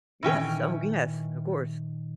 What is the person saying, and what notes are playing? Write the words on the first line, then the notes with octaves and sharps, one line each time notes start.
Yes. Oh, yes. Of course.
A#2 D#3 E3 C#4 G5